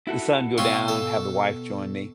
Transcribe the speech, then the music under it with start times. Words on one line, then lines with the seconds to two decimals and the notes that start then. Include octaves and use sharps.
the sun go down, have the wife join me,
0.07 E4 F#4 A4
0.58 B2 C4 C#4 F4
0.88 A4